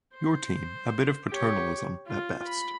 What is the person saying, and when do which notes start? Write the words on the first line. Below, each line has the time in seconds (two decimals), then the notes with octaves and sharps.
Your team. A bit of paternalism, at best.
0.15 C5
1.29 G4 C#5
2.07 F4
2.47 B5